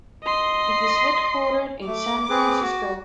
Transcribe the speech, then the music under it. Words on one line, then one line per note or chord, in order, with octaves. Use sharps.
It is headquartered in San Francisco.
D#5 C6
A3 D6
C4 G#4 B4
F#4